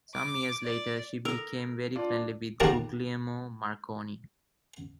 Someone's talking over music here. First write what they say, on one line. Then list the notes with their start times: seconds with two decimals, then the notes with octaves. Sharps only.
Some years later she became very friendly with Guglielmo Marconi.
0.14 D6
0.62 D5
1.25 A4 A#4 E6
1.96 D4 F4 D5
2.60 D#2 A#3 F#4 G4 A#4 A5